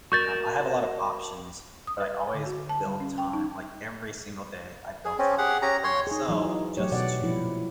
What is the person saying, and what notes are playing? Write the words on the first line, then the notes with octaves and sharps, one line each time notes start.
um, I have a lot of options, but I always build time, like, every single day I build time for myself just to
F#4 A#4 D5 C#6 G6 A6
D#6
B4
G#5
D3
F#4
A5
G3
C#4
G5
D#4
G#4
C4 C#4
G4 G#4 F#5
C#4 G4 A#5
C#5 C6
D#4 G#4
E3 F#3 D#4
F#3 A3 G4 C#5
B2 D5 F#5
A#2 F3 E4